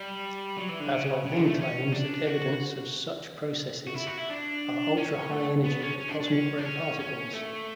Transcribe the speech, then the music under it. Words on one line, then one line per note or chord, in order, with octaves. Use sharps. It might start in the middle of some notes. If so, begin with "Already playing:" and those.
Pavlov then claims that evidence of such processes are ultra-high-energy cosmic ray particles.
Already playing: G3
F#3
E3
D3
C#3
C#3
D3
A3
C#4
D4
F#4
F#4
E4
F#4
E4
D4
C#4
A3
B3
C#4
C#4
D4
D4
C#4
D4
C#4
C#4
A3